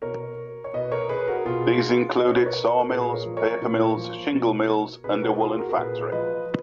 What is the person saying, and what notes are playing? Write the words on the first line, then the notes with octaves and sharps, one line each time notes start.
These included saw mills, paper mills, shingle mills, and a woolen factory.
B2 A#4 C#5
C#5
B2 B4 D#5
A#4 C#5
G#4 B4
F#4 A#4
B2 F4 G#4
B2 D#5
C#5
B4
A#4 C#5
A#4
A#2 G#4 B4
A#4 C#5
F3
A#4 C#5
A#2
F3
B2
B2 G#4 B4
F#4 A#4
F#4
F4 G#4
F#4 A#4
A#4
A#2 G#4 B4
F3 B4 D#5